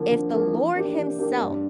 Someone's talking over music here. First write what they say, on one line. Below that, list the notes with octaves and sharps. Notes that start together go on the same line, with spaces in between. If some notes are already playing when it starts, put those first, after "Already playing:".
if the Lord himself
Already playing: D3 F3 A#3
D3
F3 A#3
E3
A#3 D4 G4
E3
A#3 D4 G4
G2